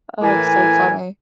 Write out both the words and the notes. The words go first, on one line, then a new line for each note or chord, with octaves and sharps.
Oh, it's so funny.
A2 E3 A#3 G#5